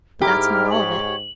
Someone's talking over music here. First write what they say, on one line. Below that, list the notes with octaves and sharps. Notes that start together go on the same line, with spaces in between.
But that's not all of it.
G#2 E4 G4 A#4 F6
C#5 F#7